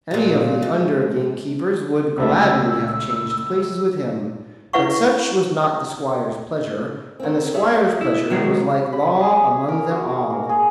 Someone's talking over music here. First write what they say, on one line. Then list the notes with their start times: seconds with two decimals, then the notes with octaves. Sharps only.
Any of the under-gamekeepers would gladly have changed places with him; but such was not the squire's pleasure, and the squire's pleasure was like law among them all.
0.11 A#2 G#3
0.62 G#3
2.18 C#2 A3 E5 E6
4.73 E4 B4 E5 F#5 C#6
7.19 D#3 C4
7.54 G#4 C#5 E5
8.01 E4
8.30 D#3 F#3 G#3 F#4
8.93 B5
9.21 G#4
9.69 A#4
9.91 F#4
10.30 A#3
10.49 G#4